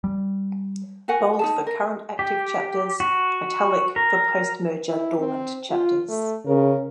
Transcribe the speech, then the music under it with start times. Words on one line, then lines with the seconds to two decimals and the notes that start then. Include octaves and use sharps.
Bold for current active chapters, italic for post-merger dormant chapters.
0.04 G3
1.08 F#4 A#4 F#5 G#5
1.39 D#4 G#4 A5
1.67 A#4
2.19 G4
3.00 F#4
3.96 A#4
4.88 E4
5.18 C4
5.70 F4
6.08 A3
6.47 C#3 A#4